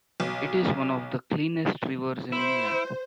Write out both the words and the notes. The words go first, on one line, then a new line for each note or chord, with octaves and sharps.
It is one of the cleanest rivers in England.
B1
E4 C5